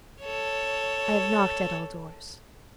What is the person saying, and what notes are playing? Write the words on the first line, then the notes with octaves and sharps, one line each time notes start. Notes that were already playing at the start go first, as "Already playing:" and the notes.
"I have knocked at all doors."
A4 C#5